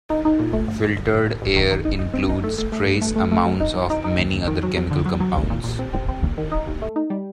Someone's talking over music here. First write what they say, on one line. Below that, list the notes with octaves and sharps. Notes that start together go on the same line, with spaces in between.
Filtered air includes trace amounts of many other chemical compounds.
D#4
D#4
A#2
A3
G1
G1
G1
G1
A1
A1
D#3
D#3
D#4
D#4
C4
D#4
A3
A3
A3
G2
A3
A3
A3
F#3
D#4
F#3
D#4
D#4
D#2
D#2
D#3
F#3
F#3
D3
F#3
F#3
C2
A#2
A#2
C4
C4
C4
D#2
D#3
D#4
D#2
A3
D#4
G3